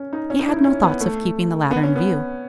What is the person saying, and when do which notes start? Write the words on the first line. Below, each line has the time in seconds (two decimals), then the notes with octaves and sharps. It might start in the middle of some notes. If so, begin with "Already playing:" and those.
He had no thoughts of keeping the latter in view.
Already playing: C#4
0.13 D#4
0.30 C#4
0.39 D#4
0.48 E4
0.56 D#4
0.65 C#4
0.83 B3
1.00 A3
1.71 B3
1.83 C#4
1.96 B3